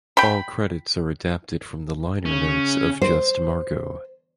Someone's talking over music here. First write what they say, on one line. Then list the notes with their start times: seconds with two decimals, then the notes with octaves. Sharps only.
All credits are adapted from the liner notes of "Just Margo".
0.17 G5 B5
2.25 C#3 C#4
3.02 C5